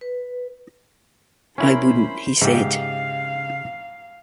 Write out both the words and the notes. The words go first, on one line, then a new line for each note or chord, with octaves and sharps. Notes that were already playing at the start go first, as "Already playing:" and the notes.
'I wouldn't,' he said.
B4
C#4 E4 A#4 C5 B5
G#2 C#3 G4 E5 F5